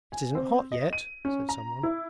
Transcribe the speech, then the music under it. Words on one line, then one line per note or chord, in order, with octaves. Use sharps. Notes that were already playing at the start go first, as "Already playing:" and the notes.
'It isn't hot yet,' said someone.
G#5
C4
D#5
D#7
C#4
A#5
E4